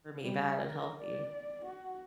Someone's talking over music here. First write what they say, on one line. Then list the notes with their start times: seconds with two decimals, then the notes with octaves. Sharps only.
for me bad, unhealthy.
0.23 G3
0.62 A#4
1.01 D5
1.65 F#4